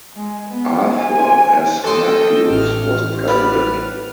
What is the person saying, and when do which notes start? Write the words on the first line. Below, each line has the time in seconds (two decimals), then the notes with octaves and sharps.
Arthur S. Matthews was President.
0.16 G#3
0.48 B3
0.98 G#5
1.84 D#2 A4 D#5 G5 C6
2.50 A1 F6
3.28 G3 B3